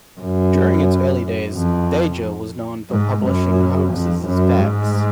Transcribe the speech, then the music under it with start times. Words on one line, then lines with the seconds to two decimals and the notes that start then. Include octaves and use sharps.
During its early days, "Veja" was known for publishing hoaxes as facts.
0.20 F#2
1.55 F2
2.91 G#2
3.26 F#2
3.93 F2
4.26 F#2
4.60 G#2